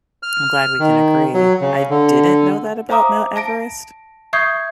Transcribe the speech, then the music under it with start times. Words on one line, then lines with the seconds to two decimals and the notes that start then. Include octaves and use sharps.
I'm glad we can agree. I didn't know that about Mount Everest.
0.23 F6
0.80 D#3
1.34 F#3
1.61 C#3
1.90 D3
2.89 C5 E5 F5 A#5 D6 D#6
3.36 A5 A#6 D7
4.33 E5 C#6 D#6 G6 G#6 C7